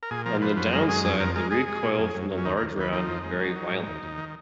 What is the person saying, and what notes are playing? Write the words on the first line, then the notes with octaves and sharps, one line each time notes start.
On the downside the recoil from the large round was very violent.
A#4
A#2 G#4
F3 A#4
F3 B4
F#2 B4
G#3 A#4
F#2 G#4
F2 G#4
F2 A#4
G#3 A#4
G#3 G#4
G#3
A#2
F#2
F#2
F#2
C#4
D#2 D#4
A#4
D#2
D#2 B4
F3 D#4
F2
G#3
F#3
F#3
G#2
D#2
D#2
D#3